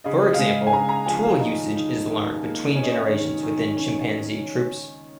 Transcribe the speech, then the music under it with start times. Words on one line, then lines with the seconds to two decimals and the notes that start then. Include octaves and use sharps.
For example, tool usage is learned between generations within chimpanzee troupes.
0.04 C#3 D#5
0.22 D#5
0.34 F5
0.38 G#3 D#5
0.67 G#5
0.73 C#3 A#5
0.89 A#5
1.06 F3 G#5
1.23 F5
1.40 D#3 D#5
1.74 D#4
2.08 D#3
2.41 A#3
2.75 C#4 C#5
2.83 D#5
2.92 C#5
3.09 D#3
3.43 D#3
3.77 C#4